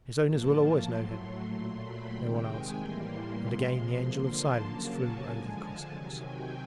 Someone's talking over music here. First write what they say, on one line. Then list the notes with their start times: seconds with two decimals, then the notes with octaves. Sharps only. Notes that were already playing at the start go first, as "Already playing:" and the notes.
His owners will always know him!' No one answered, and again the Angel of Silence flew over the Cossacks.
0.24 A2 F3 A#3 A5
0.55 A5
0.87 A2 F#3 A3 C6
1.19 C6
1.50 A#2 F#3 A3
1.82 B5
2.13 C3 D#3 G#3 G5
2.45 G#5
2.76 A2 E3 G3 A#3 C6
3.08 C6
3.39 C3 F3 G#3 C6
4.01 D3 F3 A#3 C6
4.32 A5
4.64 C#3 F#3 A#3 A5
4.96 G#5
5.27 D3 F3 G#3
5.59 A5
5.90 C3 D#3 F#3 G#5
6.21 G5